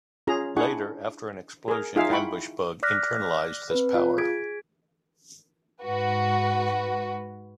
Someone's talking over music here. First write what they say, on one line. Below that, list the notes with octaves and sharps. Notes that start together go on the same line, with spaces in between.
Later, after an explosion, Ambush Bug internalized this power.
C#4 F4 G#4 A#5
D4 E4 G#4 F#5 C#6
G#4 A#4
D#4 F4 G#4 E5 F5
E4 F#5 G5 B5 C#6
D5 D6 F6 F#6 A#6 B6
C4 B4
F4
G#4 G#6 B6 D7
G#2 F#4 B4